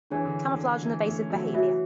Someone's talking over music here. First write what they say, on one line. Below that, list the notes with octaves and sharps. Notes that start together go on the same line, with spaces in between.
Camouflage and Evasive Behaviour.
E3 D4 G#4 C#5 G#5
D3
D3
E3
A3 C#4
F#3 A3
E3 F#4 C#5 E5